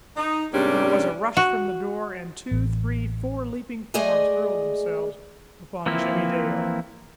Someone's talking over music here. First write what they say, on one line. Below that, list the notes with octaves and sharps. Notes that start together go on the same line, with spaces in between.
There was a rush from the door, and two, three, four leaping forms hurled themselves upon Jimmie Dale.
D#4
G#2 C3 G3 A#3 C#4 D4
F#4
A1
G#3 A3 G#4 D5 D#5 G#5
E3 F3 A#3 C4 E4